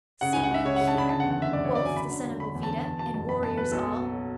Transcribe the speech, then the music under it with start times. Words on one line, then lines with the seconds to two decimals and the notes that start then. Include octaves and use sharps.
'See you here, Wulf the son of Ovida, and warriors all!
0.21 C#3 F#5
0.33 C#2 G#5
0.44 F#5
0.51 C#2 E5
0.65 C#3 C#5
0.76 C#3 F#5
0.88 A5
0.95 C#3 B5
1.09 D3 A5
1.20 F#5
1.24 E2
1.31 F#5
1.38 D3 E5
1.53 F#1 D5
1.64 F#1 C#5
1.75 D5
1.82 F#3 G#5
1.96 D3 B5
2.11 D3
2.26 E1
2.40 D3 B5
2.55 E2
2.63 A5
2.70 D3
2.84 E2 A5
2.99 B2 A5
3.14 F#1 A5
3.28 F#1 B5
3.43 E2 A5
3.57 F#1 B4
3.72 B1 A4
3.87 B2
4.02 F#3